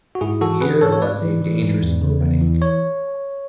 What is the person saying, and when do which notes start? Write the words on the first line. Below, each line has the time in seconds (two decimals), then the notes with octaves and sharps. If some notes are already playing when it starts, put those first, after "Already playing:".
Here was a dangerous opening.
0.15 F#4
0.21 G#2 E4 G#4
0.41 E3 F#4 A4
0.61 E3 G#4 B4
0.81 G#2 A4 C#5
0.92 C#5
1.02 G#2 B4 D5
1.22 E3
1.42 E3
1.62 G#2
1.82 E2
2.01 C#3
2.21 E2
2.41 E3
2.62 C#5